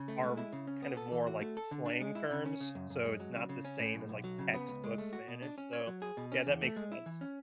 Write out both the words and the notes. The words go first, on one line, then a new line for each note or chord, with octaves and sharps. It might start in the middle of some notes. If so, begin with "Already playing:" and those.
are kind of more like slang terms. So it's not the same as, like, textbook Spanish. So, yeah, that makes sense.
Already playing: C#3
A3
G#3
E4
C#3
C#4
B3
A4
E3
F#4
A3
A4
D3
D4
G#3
E4
C#3
C#4
C#3
F#2
F#2
G#3
F#3
C#3
C#3
C#4
A2
B1
B1
F#3
C#3
B3
C#2
G#3
A3
F#4
B2
D4
C#4
C#5
F#3
G#4
B2
C#4
E2
A3
G#3
E4
E3
C#4